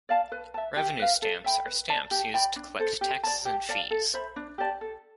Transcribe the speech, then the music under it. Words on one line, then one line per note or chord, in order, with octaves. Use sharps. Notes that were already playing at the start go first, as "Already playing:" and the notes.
Revenue stamps are stamps used to collect taxes and fees.
D5 F5 A5
B4
E5 A5
G4
B4 F5
A4
E5 G5 B5
B4
D5 A5
G4
D5 G5 B5
D4
A4 C5
G4
D5 A5
G4
D5 F5 A5
A4
C5 E5 B5
D4
G4 D5 A5
A4